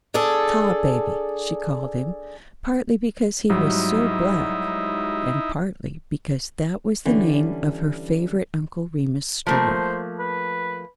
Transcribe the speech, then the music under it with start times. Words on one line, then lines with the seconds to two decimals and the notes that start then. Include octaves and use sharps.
"Tarbaby" she called him, partly because he was so black, and partly because that was the name of her favourite Uncle Remus story.
0.14 D4 G#4 A4
3.50 G#2 F#3 G3 D#4 E4
7.06 D3 E3 G3 C#4 D4
9.47 F3 A3 A#3 C5
10.19 B4